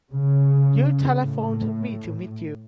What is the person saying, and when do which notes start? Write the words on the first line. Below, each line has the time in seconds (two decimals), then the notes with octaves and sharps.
You telephoned me to meet you.
0.13 C#3
1.19 A2